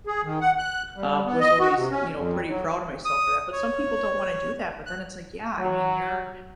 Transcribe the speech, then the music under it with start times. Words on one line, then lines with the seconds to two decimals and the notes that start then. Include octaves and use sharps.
um, was always, you know, pretty proud of myself for that. But some people don't wanna do that, but then it's like, Yeah, I mean, you're
0.07 G#4
0.24 D#3
0.41 F#5
0.58 F#6
0.96 G3
1.25 B3
1.40 D#5
1.60 F#4
1.75 C3
1.91 C#4
2.15 F2
2.48 F#3
3.05 D#6
3.52 C#5
4.86 F#6
5.58 F#3